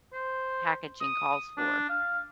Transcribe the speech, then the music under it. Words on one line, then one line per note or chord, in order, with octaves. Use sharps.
packaging calls for.
C5
D#6
D4
F5